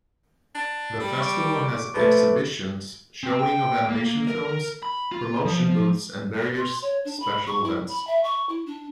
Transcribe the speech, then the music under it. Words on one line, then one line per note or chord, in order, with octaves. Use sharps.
The festival has exhibitions, showing of animation films, promotion booths and various special events.
D4
G3
C#6 D6 D7
F3 A3 B4
C4
G5
A#3
A#4
B5
F4
F3
C6
C#5
D4
B5
C#6
E4
B5
E5
C#6
E4
D4